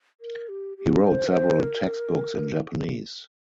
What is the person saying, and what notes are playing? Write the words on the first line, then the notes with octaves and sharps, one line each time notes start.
He wrote several textbooks in Japanese.
A#4
G4
G4
C5
A#4
C5
A#4